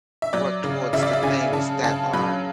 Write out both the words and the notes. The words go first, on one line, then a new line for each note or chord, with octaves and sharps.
work towards the things that are
E5
F#3 D5
C#3
C#3 E5
D5
E5
C#3 G#5
C#3 A5
C#3 A5
F#3 B5